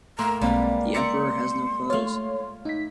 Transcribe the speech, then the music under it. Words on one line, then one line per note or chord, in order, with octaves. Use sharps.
The emperor has no clothes.
A2 A#3 A#5 C6 E6
B1 G3 G#3 A#3 C4 B4 F5
D5 E5 A#5 C6 C#7
A3 F4 C#5 F5
A2 D#4 B6